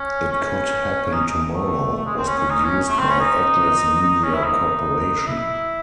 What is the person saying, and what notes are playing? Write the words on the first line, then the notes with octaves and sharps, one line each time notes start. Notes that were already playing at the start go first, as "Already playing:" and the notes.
"It Could Happen Tomorrow" was produced by Atlas Media Corporation.
Already playing: C#4
C#4
D#4
D#4
A3
A3
G#3
C4
C#4
C#4
D#4
C#4
A3
C4
C#4
D#4
D#4
C#4
E4
D#4
E4